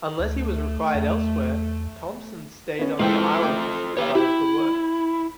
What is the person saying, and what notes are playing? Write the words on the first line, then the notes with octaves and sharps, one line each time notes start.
Unless he was required elsewhere, Thomson stayed on the island to supervise the works.
D2 A3
E2
B3 C#4
G#2 E3 F4 A4 C5 G5
A3 G5 D6
G4 B4 C#5 F5
E4 G4